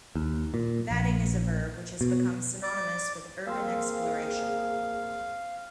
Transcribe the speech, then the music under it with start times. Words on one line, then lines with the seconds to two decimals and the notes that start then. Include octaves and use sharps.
Vadding is a verb which has become synonymous with urban exploration.
0.15 D#2
0.54 A#2
0.91 A#1
2.01 B2
2.63 D5
3.47 A#3 C4 G#4 F5 C6 E6